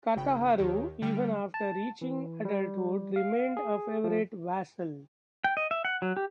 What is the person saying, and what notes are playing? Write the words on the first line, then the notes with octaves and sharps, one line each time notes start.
Kataharu, even after reaching adulthood, remained a favorite vassal.
G#1 C#3 G5 B5
D#2 D#3 G4 C#5
D3 G3 G5 F6
A5
E3
G3
F5
G#4
F3
G5
D#5
E5
F#5
F#3
G4